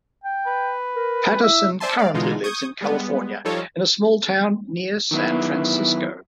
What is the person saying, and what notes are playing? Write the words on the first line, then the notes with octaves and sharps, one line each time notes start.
Pattison currently lives in California, in a small town near San Francisco.
G5
B4
A#4
E4 E5
C5 D5 E5 G#5 A5 C6
D5 F5
B2 D3 E3 G#3 D#4 F4
C#6 D#6 G6 G#6
G3 G#3 B3
F3 G3 D#4 F4 A4 C#5
D#3 F#3 B3 E4